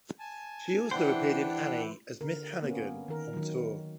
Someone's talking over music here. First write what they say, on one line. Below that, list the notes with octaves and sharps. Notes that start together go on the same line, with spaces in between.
She also appeared in "Annie" as Miss Hannigan on tour.
G#5 A5
E3 D4 C5 F#5 G5
D3 A#4
A#3 B3 C#4
D#3 A#4
D#3 F#3